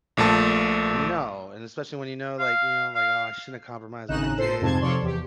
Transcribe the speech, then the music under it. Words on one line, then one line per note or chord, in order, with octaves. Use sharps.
No, and especially when you know, like, you know, like, "Oh, I shouldn't have compromised, but I did."
A#1 A#2 A3 A5
F5
F5
G#1 A2 C#3 D#4 F#6 E7
A2 A4 C5 C7
F2 G#2 C3 A5 C6 G#6
C3 F3 A4 C#5 D5 C6
E2 G4